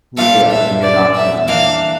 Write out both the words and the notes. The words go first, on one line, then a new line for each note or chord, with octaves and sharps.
Yeah, and you're not gonna
A#2 G3 D4 F4 A4 F5
E5
D5
E5
E3 A#3 D4 F5